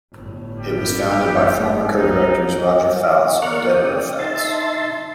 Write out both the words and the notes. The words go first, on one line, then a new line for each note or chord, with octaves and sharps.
It was founded by former co-directors Roger Fouts and Deborah Fouts.
G1 A2
G3 B3 G4
F#1 G2
C2 D#4
A#4 D5 C#6 F6 F#6
D5 G5 D#6
D#4 E5 A5 C6 A6